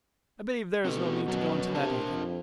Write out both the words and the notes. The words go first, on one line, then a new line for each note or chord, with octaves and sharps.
I believe there is no need to go into that either.
B2 C4 G4 A4
F2 F#3 C#4
C3 D4 A#4 A5
F2